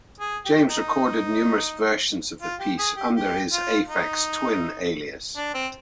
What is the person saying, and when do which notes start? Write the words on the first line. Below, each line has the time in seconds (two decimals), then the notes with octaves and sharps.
James recorded numerous versions of the piece under his Aphex Twin alias.
0.20 G#4
0.46 G4
0.70 D#4
2.42 F4
2.60 G4
2.78 G#4
2.97 G4
3.16 G4
3.53 F4
3.89 D#4
5.37 D4
5.54 C4